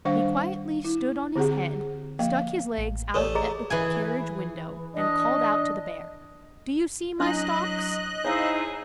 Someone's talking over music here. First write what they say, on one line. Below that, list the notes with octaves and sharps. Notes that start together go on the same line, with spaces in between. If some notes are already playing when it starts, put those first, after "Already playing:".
He quietly stood on his head, stuck his legs out at the carriage window and called out to the bear, 'Do you see my stocks?
D#3 G3 D4 C5 F5 F#5
E4
D3 C4 G4 G#4 F#5
F3 A#3 F5 G5
A1
A1 E3 A3 G4 A4 C#5 D5
G#4 D#5 A#5
E3 G#4 G#5
D4 D#5
F#3 D4 E4 D#5 F#6
D#4 E4 G#4 C5 C#5 F5